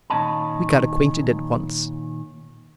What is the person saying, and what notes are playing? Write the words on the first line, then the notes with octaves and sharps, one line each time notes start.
We got acquainted at once.
A#2 D#3 C#4 D#5 A5 B5